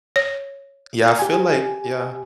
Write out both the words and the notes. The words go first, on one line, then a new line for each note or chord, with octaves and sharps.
Yeah, I feel like yeah.
C#5
G4 G#5